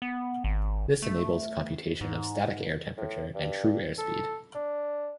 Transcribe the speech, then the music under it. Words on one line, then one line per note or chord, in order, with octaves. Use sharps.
This enables computation of static air temperature and true airspeed.
B3
G#1
A3
G#2
A2
G2
A4
D4